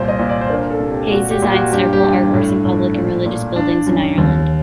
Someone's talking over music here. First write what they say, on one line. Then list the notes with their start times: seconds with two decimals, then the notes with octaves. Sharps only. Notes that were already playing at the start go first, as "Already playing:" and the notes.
Hayes designed several artworks in public and religious buildings in Ireland.
Already playing: C2 A#2 C5
0.08 D#5
0.19 A#2
0.29 D5
0.41 C5
0.50 D4 A#4
0.70 A4
0.80 C3
0.90 G4
1.11 A#2 F#4
1.31 G4
1.42 A#2
1.52 F#4
1.72 G2 G4
1.93 G4
2.03 G2
2.14 G4
2.34 A2
2.65 A2
2.95 A#2
3.26 A#2
3.56 D4
3.87 F#2
4.18 D#2